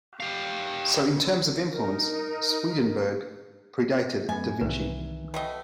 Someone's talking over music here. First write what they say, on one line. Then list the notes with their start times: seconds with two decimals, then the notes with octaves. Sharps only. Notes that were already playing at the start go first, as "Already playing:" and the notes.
So, in terms of influence, Swedenborg predated da Vinci.
0.20 G4 F5
1.71 D#4 A#4
4.29 F#2 A3 B3 D#5 G#5
4.61 C2 D#3 E3 B4
5.34 B2 A3 D#5 G5